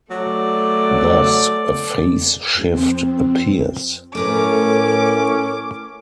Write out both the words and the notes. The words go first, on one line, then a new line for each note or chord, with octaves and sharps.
Thus, a phase-shift appears.
F#3 A3 D5
F2 C4
A2 A3 C#4 A#4 B4 D6